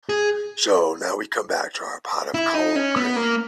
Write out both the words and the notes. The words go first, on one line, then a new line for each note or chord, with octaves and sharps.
So now we come back to our pot of cold cream.
G#4
E4
D#4
C#4
B3
A#3